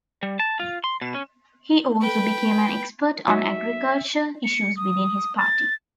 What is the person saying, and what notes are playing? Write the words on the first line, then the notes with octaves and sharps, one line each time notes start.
He also became an expert on agricultural issues within his party.
G3
A5
F4
C6
B2
C#4
B4 G5
F#3 D#4 F#4 E5
C#7
D#6
A6